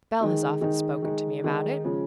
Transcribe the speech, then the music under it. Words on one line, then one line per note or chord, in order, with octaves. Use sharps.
Bell has often spoken to me about it.
D#3 G#3 D#4
D#3 G#3 D#4
D#3 G#3 D#4
D#3 G#3 D#4
C#3 F3 G#3 C#4